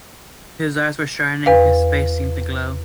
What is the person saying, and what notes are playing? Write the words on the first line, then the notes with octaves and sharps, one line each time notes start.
His eyes were shining; his face seemed to glow.
E2 B4 F5